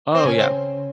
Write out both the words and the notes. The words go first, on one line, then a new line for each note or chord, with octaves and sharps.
Oh, yeah.
C4
C#3 C#4
C4